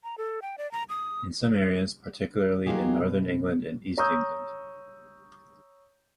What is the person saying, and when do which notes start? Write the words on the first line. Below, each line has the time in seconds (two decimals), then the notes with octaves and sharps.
In some areas, particularly in northern England and East England.
0.04 A#5
0.18 A4
0.42 G5
0.58 D5
0.72 A#5
0.89 D#6
2.66 F#3 A#3 D#4 F4 G4 G#4
3.00 B2
3.97 C#5 A#5 C#6 D#6 E6 G6